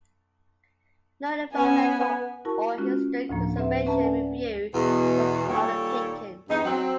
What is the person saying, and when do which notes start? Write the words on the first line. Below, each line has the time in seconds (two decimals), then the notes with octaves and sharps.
No environmental or historic preservation review was undertaken.
1.54 B3 C#4 F#5 G#5
2.45 E4 F#4 A#4 A5 C#6
2.78 G#3 C#4 F4 F#4
3.29 D2 A2 F3 A#3
3.57 C4 G4 B4 E5 F#5
3.86 C#4 B4 E5 A5 A#5
4.03 D5 E5 F#5 G#5
4.73 E2 B2
5.49 A#2 D#3 G3 A4 C#5
6.49 E2 G2 D#4
6.64 F#3 C4